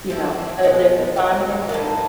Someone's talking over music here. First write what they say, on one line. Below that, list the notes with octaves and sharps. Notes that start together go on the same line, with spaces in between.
You know, uh, there's a time and a place.
F3 A3 C4 E4
B2 G#3 B3
D#3 F#3 A#3
A2 F3 A#3